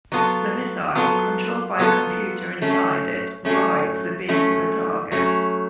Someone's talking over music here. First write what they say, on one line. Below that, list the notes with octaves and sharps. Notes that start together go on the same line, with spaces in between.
The missile, controlled by a computer inside it, "rides" the beam to the target.
F#3 B3 F4 A4
F#3 B3 F4 A4
F#3 B3 F4 A4
F#3 A3 C#4
F#3 A3 C#4
F#3 A3 C#4
F#3 A3 C#4